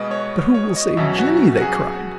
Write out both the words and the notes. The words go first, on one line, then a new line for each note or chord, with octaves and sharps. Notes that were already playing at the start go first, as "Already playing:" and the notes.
"But who will save Jimmie?" they cried.
Already playing: B2 G#3 B4 D#5
C#5
C#5
D#5
E2 B2 F#3 C#4 E5
F#4
F#4
G#4